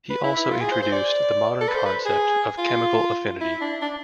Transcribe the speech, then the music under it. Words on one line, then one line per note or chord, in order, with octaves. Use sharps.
He also introduced the modern concept of chemical affinity.
B4
E4
E4
F4
G#4
C5
C5
D5
A4
B4
C5
B4
G#4
F4
E4
D4
D4